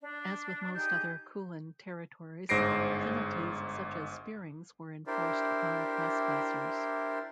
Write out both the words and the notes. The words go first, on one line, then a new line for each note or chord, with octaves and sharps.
As with most other Kulin territories, penalties such as spearings were enforced upon trespassers.
D4
D#4 G4 G#4 G6
G1 G#2 C5 A#6 C7 D7
D4 E4 G4 A#4 C5 D5